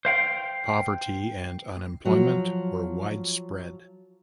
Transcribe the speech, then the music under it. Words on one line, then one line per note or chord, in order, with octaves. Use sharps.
Poverty and unemployment were widespread.
C5 F5 G5
F3 F#3 F4